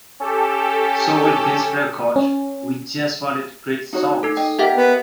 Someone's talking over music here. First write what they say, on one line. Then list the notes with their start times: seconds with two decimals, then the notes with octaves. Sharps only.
So with this record, we just wanted great songs.
0.21 C#4 G4 A4
2.16 C#4
3.93 D#4 F#4 C#5
4.23 D#4 A4
4.37 D#5 G5
4.59 G4 A#4 D#5 E5 F#5
4.75 B3